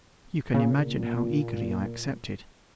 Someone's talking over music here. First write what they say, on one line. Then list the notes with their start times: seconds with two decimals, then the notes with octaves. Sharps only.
You can imagine how eagerly I accepted.
0.54 A#2 C#3